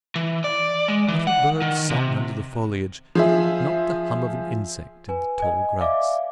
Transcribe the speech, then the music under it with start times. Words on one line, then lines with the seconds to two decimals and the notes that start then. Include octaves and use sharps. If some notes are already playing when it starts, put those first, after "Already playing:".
Not a bird's song under the foliage, not the hum of an insect in the tall grass.
0.16 E3
0.44 D5
0.88 G#3
1.08 E3
1.27 F#5
1.62 D#3
1.90 C3
3.15 F3 G#4 E5
5.09 B4 G#5
5.39 D#5 G#5
5.81 D5 E5 F5 D6